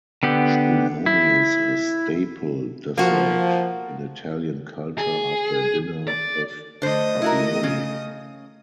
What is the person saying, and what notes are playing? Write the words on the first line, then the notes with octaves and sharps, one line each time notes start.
Spumoni is a staple dessert in Italian culture after a dinner of ravioli.
D3 B3 G4
E4
F3 A#3 F#4
G#4
D5
D3 A3 C5 D#5
E4 F#4 A#4
C#3